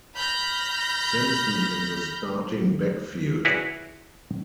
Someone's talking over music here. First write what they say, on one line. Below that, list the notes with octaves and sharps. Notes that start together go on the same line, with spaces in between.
Simpson in the starting backfield.
B5 F6 G6 A#6
E4 F#4 G#4 B4 C#5 D5